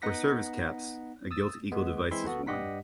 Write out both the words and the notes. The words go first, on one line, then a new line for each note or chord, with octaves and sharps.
For service caps, a gilt eagle device is worn.
B3 D#4 F#5 A#6 B6
D#6 E6 A6
G#3 B3
E3 G#3 C4 E4 E5 C6
B3 F#4 A4
G2 G3 G4 D#5 F#5 B6